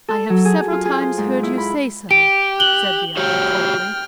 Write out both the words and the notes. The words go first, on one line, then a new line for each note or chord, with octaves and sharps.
"I have several times heard you say so," said the other, coldly.
A4
F#3
G#4
F4
G#4
C5
G#2
E4
B5
G4 D7
F#6 F#7 G7
F#4 G4 C#5 G5 F6